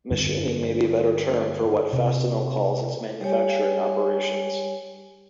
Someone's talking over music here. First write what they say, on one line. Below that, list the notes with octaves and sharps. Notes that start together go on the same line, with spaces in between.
Machining may be a better term for what Fastenal calls its "manufacturing" operations.
G2 D3
C3
G3 G4 C#5 G#5